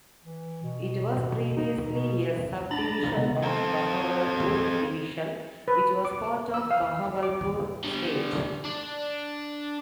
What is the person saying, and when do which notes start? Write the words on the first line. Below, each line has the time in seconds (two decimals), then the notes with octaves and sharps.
It was previously a sub-division of Bahawalpur Division, which was part of Bahawalpur State.
0.25 E3
0.63 B2
1.57 D#4
1.86 B2
2.71 D4 A#5 B5 A6
3.17 C3 G#3 B3
3.43 C4 A4
5.68 B4
6.05 D6
6.54 E6
6.71 F5
7.23 D6
7.84 D3 G3
8.65 D4